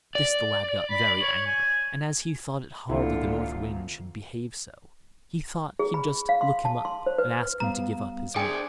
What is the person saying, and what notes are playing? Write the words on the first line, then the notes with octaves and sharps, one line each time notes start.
At this the lad got very angry; and as he thought it hard that the North Wind should behave so, he thought he'd just look him up, and ask him to give up his meal.
D5
B5
C#5
G#5
D#1 G#1 C#2 A#2 D3 E4 F4
G#4
B5
F5
C6
A5
C6
C5
B4
G3 B3 F5 A#5
D4 G#4 C5 D5 G5